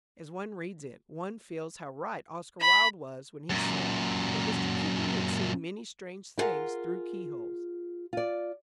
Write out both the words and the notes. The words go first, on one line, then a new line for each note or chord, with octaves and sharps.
As one reads it, one feels how right Oscar Wilde was when he said that Mr. Kipling had seen many strange things through keyholes.
B5
F#2 A#2
E4 F4 G#4 A#4 F#5
F4 D5